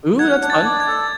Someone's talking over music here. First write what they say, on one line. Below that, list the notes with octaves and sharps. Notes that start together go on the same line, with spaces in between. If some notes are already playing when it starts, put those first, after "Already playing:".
Ooh, that's fun.
F#5 G#6
D4
A6
D5
G#6
A4